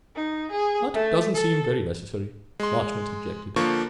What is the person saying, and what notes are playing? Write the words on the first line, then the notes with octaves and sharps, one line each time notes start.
"That doesn't seem very necessary," Marchmont objected.
D#4
G#4
A3
A4
G#3 C6
D3 F3 A#3 C#6